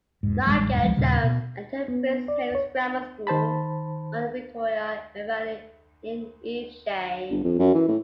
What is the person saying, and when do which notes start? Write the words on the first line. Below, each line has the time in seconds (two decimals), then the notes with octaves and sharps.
Nigel Jones attended Prince Henry's Grammar School on Victoria Avenue in Evesham.
0.23 E1 G#2
0.47 A1 C3 G3 G#3
0.70 D#1 G2
0.83 C#2 F3 G#3
0.97 D#2 A#2 C#3 G3
1.23 B2
1.88 B3
2.28 D5
2.55 C#5
3.27 D#3 C5 A5 B5
7.30 G1
7.44 F2
7.59 F#2
7.74 E3
7.88 A2